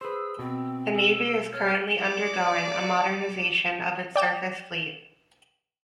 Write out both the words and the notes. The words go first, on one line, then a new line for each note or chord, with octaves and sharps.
The navy is currently undergoing a modernization of its surface fleet.
G#4 B4 C5 E6
B2 C4
E6
C#5 F6
D5 D6
D5 G5 D6 E7